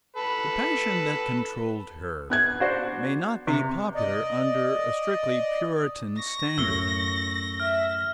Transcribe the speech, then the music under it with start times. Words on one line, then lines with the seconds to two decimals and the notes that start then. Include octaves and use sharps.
The passion that controlled her may not be popular under a strictly Puritan standard.
0.16 A4 B4
2.30 B3 F#6 G#6
2.60 D4 F#4 C5
3.47 C3
3.95 D5 D#5
6.17 C#6 A#6
6.58 F#2 A2 E6 G7
7.60 E5 F6